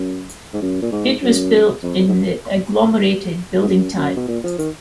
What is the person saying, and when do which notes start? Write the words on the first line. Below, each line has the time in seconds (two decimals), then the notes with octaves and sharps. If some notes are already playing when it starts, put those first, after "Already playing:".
It was built in the "agglomerated building type".
Already playing: F#2
0.53 G#2
0.62 F#2
0.82 A#2
0.92 G#2
1.22 F#2
1.83 F2
1.98 F2
2.08 G#2
2.14 F#2
3.62 G#2
3.67 F#2
3.97 F#2
4.16 B2
4.28 A#2
4.43 F3
4.58 D#3